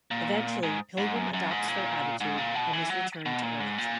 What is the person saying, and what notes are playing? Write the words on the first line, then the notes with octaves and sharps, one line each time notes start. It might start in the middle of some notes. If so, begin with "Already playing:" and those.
Eventually Pilgrim adopts their attitude and is returned to Earth.
A#2
G#2
G#2
F#2
F#2
G#2
A#2
G#2
A#2
B2
E3
F#3
B2
A#2
G#2
A#2